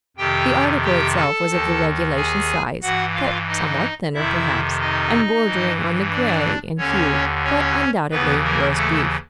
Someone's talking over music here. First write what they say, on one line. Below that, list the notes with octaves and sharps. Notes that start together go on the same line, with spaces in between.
The article itself was of the regulation size, cut somewhat thinner, perhaps, and bordering on the gray in hue, but undoubtedly roast beef.
F2 C3 D#3 G4 G5
G4 G5
A4 A5
D#2 D#3
G#4 G#5
G2 E3 F#4 F#5
F4 F5
D#4 D#5
F2 C3 D#3 E4 E5
D#4 D#5
G2 E3
D4 D5
D#2 D3 C#4 C#5
C#4 C#5
D#2 C#3 E3 B3 B4
A#3 A#4
A3 A4